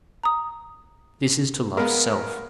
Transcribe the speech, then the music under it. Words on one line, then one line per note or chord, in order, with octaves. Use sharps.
This is to love self.
A#5 D#6
G#3 B3 A#4 F5 B5